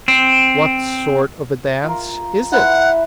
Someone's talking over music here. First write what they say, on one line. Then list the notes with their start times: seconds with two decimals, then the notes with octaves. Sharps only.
'What sort of a dance is it?'
0.08 C4
1.84 F4 A#4
2.52 E4 B4 F#5 C6